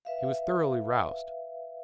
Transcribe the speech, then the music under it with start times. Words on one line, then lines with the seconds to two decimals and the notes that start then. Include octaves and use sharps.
He was thoroughly roused.
0.05 B4 E5 F5